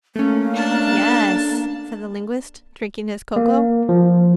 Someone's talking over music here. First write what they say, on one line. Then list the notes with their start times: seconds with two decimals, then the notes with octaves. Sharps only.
"Yess," said the linguist, drinking his cocoa.
0.16 A3 A#3 C#4
0.53 D4 A5
3.36 A#3
3.89 F3